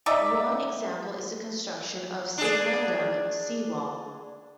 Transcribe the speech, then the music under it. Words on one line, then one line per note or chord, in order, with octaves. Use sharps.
One example is the construction of Saemangeum Seawall.
D#4 D5 E5
D4 G#4